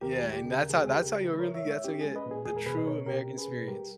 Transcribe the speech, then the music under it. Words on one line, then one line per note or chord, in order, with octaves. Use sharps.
Yeah, and that's how that's how you really that's how you get to get the true American experience.
D#2 G4 A#4
G#3
G4
C#3
G4
D#2 A#4
G#4
G4
G#3 G#4
G4 A#4
C#3
E4
B4
A#4 C#5
E4
C#5 E5
G#3 C#5 E5
C#4 G4
G#3 G#4
B4 D#5
A#2
G#4
E2 G#4
A#4
B2 G#4 B4
D#5
B2 A#4 C#5
B2 G4 A#4
C#4
G#4 B4
B2
G3 G4 A#4